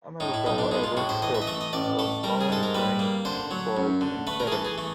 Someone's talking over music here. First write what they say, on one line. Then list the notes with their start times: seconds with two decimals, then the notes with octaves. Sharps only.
A "Melaleuca howeana" shrub was found growing on Ball's Pyramid.
0.20 A2 D#4
0.34 E4
0.46 B1 D#4
0.58 D4
0.71 G#3 D#4
0.84 F4
0.97 A2 F#4
1.09 C5
1.22 E3 D#5
1.34 E5
1.42 D#5
1.47 A3 E5
1.61 D#5
1.73 A1 D5
1.99 A3 A4
2.23 G3 A#4
2.41 G#4
2.49 G#2 A4
2.63 A#4
2.75 G3 B4
2.99 A#3
3.25 D3 C5
3.51 F#3
3.77 F#2
4.01 D3
4.27 A3 B4
4.40 A#4
4.47 G#4
4.52 E3 A4
4.65 G#4
4.78 A3